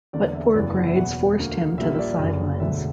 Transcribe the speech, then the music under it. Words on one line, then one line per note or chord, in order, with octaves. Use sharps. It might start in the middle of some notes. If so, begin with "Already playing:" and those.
But poor grades forced him to the sidelines.
E2 D3 A#3 D5
E5
F#1 F#2 E3 B3 D5
F#5
E5
E2 B2 F#3 B3 F#5
D2 D3 A#3
A#1 A#2 G3 A#3 E5
E5
D5
F#1 F#2 D3
E1 D2 D3 E5